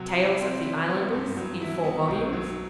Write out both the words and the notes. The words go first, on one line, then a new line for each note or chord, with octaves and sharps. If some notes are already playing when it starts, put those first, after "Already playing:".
Tales of the Islanders, in four volumes.
Already playing: C3 F#3 C4
E4
C4
E4
B3
G2
F#3
E4
B3
B1
F#3